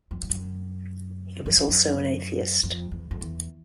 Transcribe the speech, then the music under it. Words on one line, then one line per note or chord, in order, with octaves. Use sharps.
He was also an atheist.
F2
F2
F#2
F#2
F2
F#2
F2
E2
F2
E2